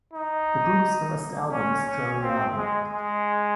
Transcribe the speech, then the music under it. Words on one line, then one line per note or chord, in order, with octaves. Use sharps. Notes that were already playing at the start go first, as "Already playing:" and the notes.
The group's first album Strelyali?
D#4
C#4
C#4
C4
G#3
G#3